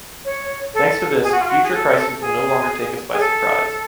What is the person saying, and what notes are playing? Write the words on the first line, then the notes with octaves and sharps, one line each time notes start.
Thanks to this, future crises will no longer take us by surprise.
C#5
A4
G#4
F#4
F4
F#4
G#4
A4
G#4
G#4
A4